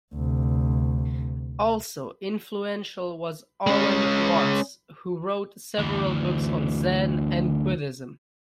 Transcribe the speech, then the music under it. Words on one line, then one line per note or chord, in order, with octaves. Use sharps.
Also influential was Alan Watts, who wrote several books on Zen and Buddhism.
D2 C3
G#3 C#4
D2 E3